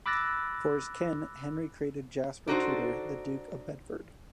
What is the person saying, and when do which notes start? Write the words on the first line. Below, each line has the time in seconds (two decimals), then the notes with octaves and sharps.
For his kin, Henry created Jasper Tudor the Duke of Bedford.
0.06 B5 D6 E6 F#6 A6 A#6
2.48 D4 D#4 F#4 A4 C5